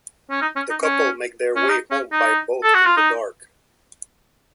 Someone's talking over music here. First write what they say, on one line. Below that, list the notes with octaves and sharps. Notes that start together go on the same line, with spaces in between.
The couple make their way home by boat in the dark.
C#4
D#4
C#4
D#4
C#4
C#4
D#4
C#4
D#4
A4
F#4
F4
D#4